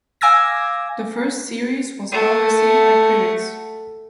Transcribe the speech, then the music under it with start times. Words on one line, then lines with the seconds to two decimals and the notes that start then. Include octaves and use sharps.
The first series was well received by critics.
0.21 F5 G#5 D6 E6 G#6 A#6
2.12 A3 F#5